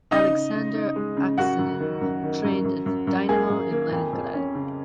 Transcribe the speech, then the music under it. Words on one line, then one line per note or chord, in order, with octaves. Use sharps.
Aleksandr Aksinin trained at Dynamo in Leningrad.
C#3 D#4 D#5
C#3
C#3
D#4
G#3
C#3
F#2 F#4 F#5
F#2
D#3
F#2
D#3
F#2
F#2
F#2
F#2
A#3 G#4
F#2
A#3
F2
F2
C#4
C#3